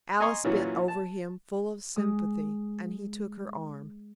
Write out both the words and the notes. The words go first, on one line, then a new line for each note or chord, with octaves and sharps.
Alice bent over him full of sympathy, and he took her arm.
D#5 G#5 A#5 C6 C#6 D#6
A#2 E3 F#3 C#4
A5
G#3 D#6